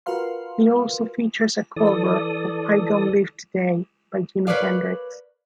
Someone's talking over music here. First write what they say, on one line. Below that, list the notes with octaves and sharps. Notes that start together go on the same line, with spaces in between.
It also features a cover of "I Don't Live Today" by Jimi Hendrix.
F4 F#4 A#4 B4 F5 C6
E3 A4 D5 D#6
A#4 B4 C#5 D5 F5